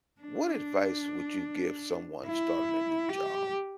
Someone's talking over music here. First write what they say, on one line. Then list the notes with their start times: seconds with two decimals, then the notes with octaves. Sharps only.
What advice would you give someone starting a new job?
0.21 D4
2.26 E4
3.09 G4